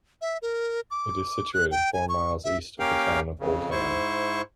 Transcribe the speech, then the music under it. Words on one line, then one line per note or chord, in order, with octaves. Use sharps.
It is situated four miles east of the town of Oldham.
E5
A#4
D6
F#6
G5
G#5
C#6
E5
A#3 C#4 G4 A#4 F5 G5
F2 C#3
G#2 E4 C5 C#6